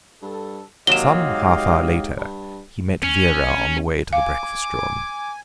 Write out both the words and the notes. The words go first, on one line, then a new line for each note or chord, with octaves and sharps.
Some half-hour later he met Vera on the way to the breakfast-room.
G2 A4
D#2 C3 F#3 G4 D#5 F5 E7 G7
G#2
G2
C#4
F5 G#5 D6